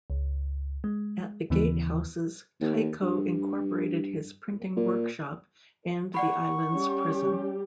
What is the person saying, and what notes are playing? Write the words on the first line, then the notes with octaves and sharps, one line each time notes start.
At the gatehouses, Tycho incorporated his printing workshop and the island's prison.
C#2
G#3
D#2 C#3 E3 B3
D#2
G2
A#2
D5 F#5 B5 C#6
G3 C#4 G4